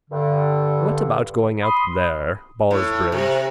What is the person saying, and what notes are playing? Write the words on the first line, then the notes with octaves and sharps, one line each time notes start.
What about going out there: Ballsbridge.
G2 D3
B5 C6 D#6
A2
C3